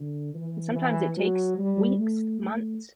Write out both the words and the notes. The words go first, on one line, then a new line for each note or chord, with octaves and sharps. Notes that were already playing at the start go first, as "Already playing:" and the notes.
and sometimes it takes weeks, months
Already playing: D3
E3
E3
F#3
G3
A3
A3